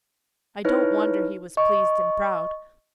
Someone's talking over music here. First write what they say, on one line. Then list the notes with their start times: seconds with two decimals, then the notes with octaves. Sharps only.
I don't wonder he was pleased and proud.
0.65 D#4 E4 B4 C#5 F6
1.57 D#5 C#6